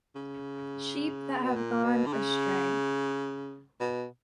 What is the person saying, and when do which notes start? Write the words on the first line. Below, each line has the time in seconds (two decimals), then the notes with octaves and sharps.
Sheep that have gone astray.
0.15 C#3
1.44 B2
1.56 A#2
1.84 B2
2.06 D3
2.13 C#3
3.80 B2